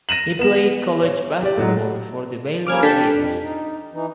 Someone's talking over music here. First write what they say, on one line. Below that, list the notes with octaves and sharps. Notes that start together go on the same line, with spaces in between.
He played college basketball for the Baylor Bears.
A#6 D#7 E7 F#7
B3 E7
C#5
G4 D5
A2 F#3 G#3
G3 A#3 C#4 D6 F6 G#6
D4 G4 A4 G5 A5 B6
F2
D#4
E3 D#4